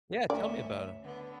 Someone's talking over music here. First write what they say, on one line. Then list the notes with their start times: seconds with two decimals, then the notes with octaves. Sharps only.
Yeah, tell me about it.
0.30 D2 C#4 D5 E5
1.04 D3 B3